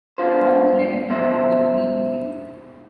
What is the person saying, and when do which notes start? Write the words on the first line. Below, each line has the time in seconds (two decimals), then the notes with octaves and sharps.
All eleven on board were believed killed.
0.18 B3 D4 F4 C5
1.10 B2 D#3 C5 E5